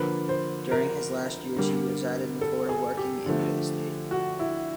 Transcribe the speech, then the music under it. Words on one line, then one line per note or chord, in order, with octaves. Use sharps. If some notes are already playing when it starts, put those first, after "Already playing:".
During his last years he resided in Florida, working in real estate.
Already playing: D3 F3 A#3 B4
C5
A#4
D3 G3 A#3
A4
G#4
G4
D3 F3 A3
F#4
E4